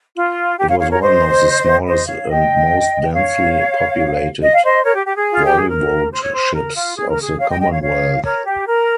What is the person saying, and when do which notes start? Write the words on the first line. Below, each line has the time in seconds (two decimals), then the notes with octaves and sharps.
It was one of the smallest and most densely populated voivodeships of the Commonwealth.
0.16 F4
0.58 G4
0.70 C#5 F5
0.80 C#5 F5
0.90 A#4 C#5
1.01 C5 D#5
1.86 C5 D#5
2.07 C#5 F5
2.29 D#5 G5
3.02 G5
3.14 C#5 F5
4.42 D#5
4.53 F5
4.64 C5 D#5
4.84 A#4 C#5
4.95 G4
5.06 G4
5.16 G#4
5.33 F4
5.45 G4
5.57 G#4
5.69 A#4
6.12 C5
6.23 C#5
6.34 C5
6.54 A#4
6.76 F4
6.97 G#4
7.09 A#4
7.21 G#4
7.39 C#5 F5
7.50 D#5 G5
7.60 D#5 G5
7.71 C#5 F5
7.82 C#5 F5
8.24 A#4 C#5
8.46 G4
8.66 A#4